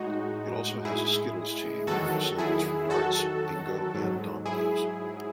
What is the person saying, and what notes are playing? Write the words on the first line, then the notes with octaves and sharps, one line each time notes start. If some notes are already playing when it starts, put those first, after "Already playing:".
It also has a skittles team and facilities for darts, bingo and dominoes.
Already playing: A2 G#3 D#4 F#4
E4 G#4
E2 D#3 F#3 F#4 A4
E4 G#4
F#4 A4
G#2 F#3
E4 G#4